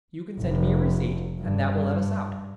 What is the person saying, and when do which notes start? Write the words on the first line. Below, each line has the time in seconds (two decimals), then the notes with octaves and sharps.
You can send me a receipt and that will let us out.
0.40 F1
1.40 G2